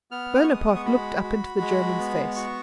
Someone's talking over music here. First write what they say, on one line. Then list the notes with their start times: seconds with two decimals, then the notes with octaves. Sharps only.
Bonaparte looked up into the German's face.
0.11 B3 F6
0.44 C#6
0.48 G#3 D#6
0.76 C#6
0.85 F#4 B5
1.24 F#4
1.60 G#3
1.98 B3
2.36 F#4 C#6